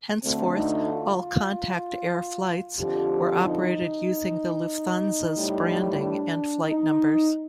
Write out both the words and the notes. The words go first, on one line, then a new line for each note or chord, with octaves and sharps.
Henceforth, all Contact Air flights were operated using the Lufthansas branding and flight numbers.
D2 D3 A3 C4
D#4
F4
F2 D3 F3 G4
D#4
A2 G3
D4
D#4